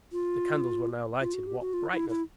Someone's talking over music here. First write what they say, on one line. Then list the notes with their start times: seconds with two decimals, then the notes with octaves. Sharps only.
The candles were now lighted--what brightness!
0.13 F4
1.21 F4
1.34 F#4
1.47 G4
1.61 F#4
1.73 F4
1.93 E4
2.09 E4